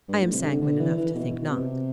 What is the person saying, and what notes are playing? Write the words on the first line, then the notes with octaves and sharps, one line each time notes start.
I am sanguine enough to think not.
G2
A2
C3
D3
D3
E3
E3
B2
C3